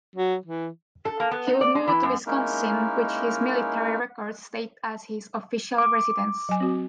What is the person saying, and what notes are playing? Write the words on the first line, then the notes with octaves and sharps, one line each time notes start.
He would move to Wisconsin, which his military records state as his official residence.
F#3
E3
A4
A#3
B3
D#4
D5
G#3
E3
F#2
G#3 A#3 C#4 D#4 E4 A#4
D6
F#3 G#5
C4 F#4